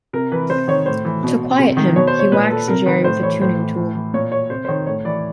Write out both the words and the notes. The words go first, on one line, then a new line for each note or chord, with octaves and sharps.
To quiet him, he whacks Jerry with a tuning tool.
C3 A#4
E3 B4
C3 C5
D#3 C#5
A2 C5
E3
B2
C3
D#3
B2 C#5
C5
C#5
A#2 B4
A4
C3 A#4
D#3 B4
A2 C5
E3 C#5
A2 C5
E3
A2
E3
A#2 C#5
C#5
C3 C5
C5
D#3 C#5
A2 C#5
E3 D5